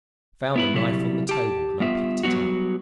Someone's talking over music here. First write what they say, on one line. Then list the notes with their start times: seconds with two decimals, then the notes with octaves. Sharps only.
I found a knife on the table and I picked it up.
0.56 B3 E4 B4
0.74 C3 F#3 G3 E4
1.29 G4 A5
1.80 G3 B3 F4 E5
2.23 F#3 G3 B3 D#4 F#4